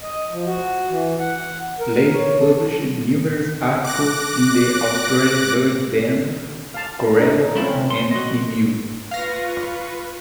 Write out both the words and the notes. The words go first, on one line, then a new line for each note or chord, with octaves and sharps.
Lane published numerous articles in the "Australian Bird Bander", "Corella" and "Emu".
D#5
F3
F#4
E3
F#5
A#4
C#5
A4
D6 F#6 A#6
F5 A5
D4 D#4 A#4
A3 C4 C#4 E4 F4
C3
C6
F#4 D#5
F4 B4 F5 C#6 A#6